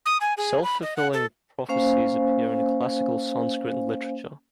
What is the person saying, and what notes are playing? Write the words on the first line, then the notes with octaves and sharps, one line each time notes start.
Self-fulfilling prophecies appear in classical Sanskrit literature.
D#6
G#5
G#4
B5
D#5
F#5
A4
A#3 C#4 C5 F5 G#5